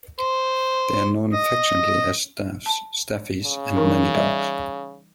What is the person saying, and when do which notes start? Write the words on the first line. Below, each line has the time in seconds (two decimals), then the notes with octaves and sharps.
They are known affectionately as "staffs", "staffies", and "nanny-dogs".
0.19 C5
1.33 D#5
2.66 A5
3.44 C#3
3.76 E3 D#4 A#4
4.14 G3 D5 E5